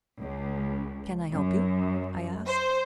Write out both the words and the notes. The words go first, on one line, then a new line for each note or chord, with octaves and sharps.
"Can I help you?" I asked.
C#2
F#2
C5